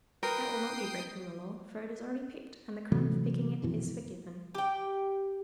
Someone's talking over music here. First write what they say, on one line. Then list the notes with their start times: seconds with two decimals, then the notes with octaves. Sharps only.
"That will not be breaking the Law, for it is already picked, and the crime of picking it is forgiven."
0.23 A#4 B4 G5 D#6 C7
2.92 C3 E3 F#3 A3
3.62 F#1 F2 B2 E3
4.55 G4 G5